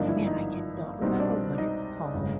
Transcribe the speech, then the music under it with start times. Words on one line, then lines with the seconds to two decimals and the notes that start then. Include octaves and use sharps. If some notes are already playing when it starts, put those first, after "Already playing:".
man, I cannot remember what it's called,
Already playing: G#1 G2 D3 F3 A#3 D#4 D#5
0.08 E4 E5
0.26 D#4 D#5
1.01 C2 B2 G3 C4 D#4 D#5
1.13 D#5
1.20 D4 D5
1.58 D#4 D#5
2.14 G1 C#3